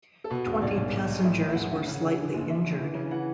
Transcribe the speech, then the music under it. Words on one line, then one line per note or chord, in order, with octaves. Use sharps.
Twenty passengers were slightly injured.
A4
B2 B4
E1
B1 D5
B1
B1
B1
A2 E5
A1
E5
E1 F#5
D3 E5
C#3 F#5
C#3
D3
F#1
F#1 E5
D3
E3
C#3
E3 F#5